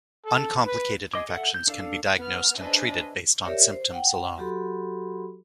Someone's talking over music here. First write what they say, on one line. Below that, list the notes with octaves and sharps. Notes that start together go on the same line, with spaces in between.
Uncomplicated infections can be diagnosed and treated based on symptoms alone.
A4
B4
G#4 D#5 D6
A4 E5 F#5
G6
D4 A4 F5
B3 F6
D4 G#4 B4 C5 D#5 E5
G4 A#4 C#5 D5 E5
C5
F#5 G5
F#3 F#4 G4 A4 B5 C6